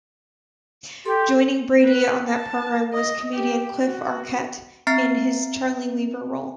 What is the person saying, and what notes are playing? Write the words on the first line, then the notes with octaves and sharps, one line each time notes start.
Joining Brady on that program was comedian Cliff Arquette in his Charley Weaver role.
G4 A4 C6
B4
A5
D#5
G4
F#4
C4 E5 A#5 F6 A6 C7